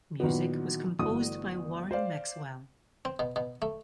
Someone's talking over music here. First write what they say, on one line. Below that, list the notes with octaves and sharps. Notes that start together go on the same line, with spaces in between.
Music was composed by Warren Maxwell.
A#2 D#3 E3 F#3 B3
G1 E3 A3 F#4 D#6
C5 D5 F5
C4
B2
B2
A3